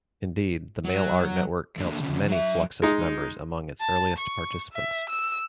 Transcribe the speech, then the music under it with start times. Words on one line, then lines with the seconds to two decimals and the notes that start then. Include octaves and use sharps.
Indeed, the mail art network counts many Fluxus members among its earliest participants.
0.85 F#3
1.77 D#2 D3
2.00 D2 C#3
2.28 F#3 E5
2.82 G#3 D#4
3.80 A5
4.18 C#6
4.73 E5
5.10 E6